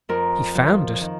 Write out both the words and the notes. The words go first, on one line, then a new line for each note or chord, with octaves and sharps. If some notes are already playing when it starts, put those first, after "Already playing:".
He found it.
F2 A#4
F3
D#3